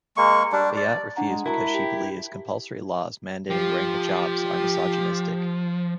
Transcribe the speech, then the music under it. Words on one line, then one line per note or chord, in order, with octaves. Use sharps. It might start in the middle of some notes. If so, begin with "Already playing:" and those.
Bayat refused because she believes compulsory laws mandating wearing hijabs are misogynistic.
G#3 A#3 C#6
G3 D4
D5
D4 F#5 A#5
G#3
E4 F#4 A#4 A5 A#5
G4
F3 G4